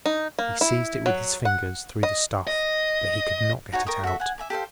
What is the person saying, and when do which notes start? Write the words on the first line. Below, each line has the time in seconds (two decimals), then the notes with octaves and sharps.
He seized it with his fingers through the stuff, but he could not get it out.
0.06 D#4
0.39 A#3
0.61 E4
1.06 F#3
1.45 F#5
2.03 D#5
2.47 D#5
3.72 D#4 F#4 C#5 G#5
3.86 A#4 G5 C#6 D#6
4.04 F#4 A4 E5
4.20 F#5 G#5
4.38 E5 G#5 D6
4.50 G4 A4 C5 F5